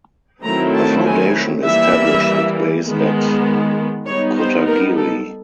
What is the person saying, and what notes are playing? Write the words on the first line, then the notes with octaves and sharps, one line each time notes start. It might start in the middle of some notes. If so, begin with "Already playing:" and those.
The foundation established its base at Kotagiri.
D#3 F#3 A3 C4 E4 A#5
A5
G#5
E3 G3 A#3 E5
D#3 G#3 B3
G3 B3 D#4 C#5
C5
A#4
A4